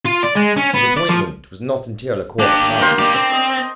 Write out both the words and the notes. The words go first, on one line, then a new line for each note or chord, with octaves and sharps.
His appointment was not until a quarter past.
F4
D5
G#3
C#4
B3
D5
F3
A#3 D4 G4
A#4 C5
A#3 G4 D5
C4
D#5